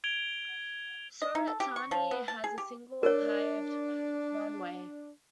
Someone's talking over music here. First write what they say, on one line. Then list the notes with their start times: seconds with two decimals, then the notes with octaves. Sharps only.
Surat Thani has a single paved runway.
0.04 G#6 D7 F7 G7
1.22 D#5
1.35 D#4
1.47 A4
1.60 G4
1.76 C#6
1.91 F3
2.11 B3
2.28 A5
2.44 G#4
2.58 G4
3.03 D4 A#4 C#5 D5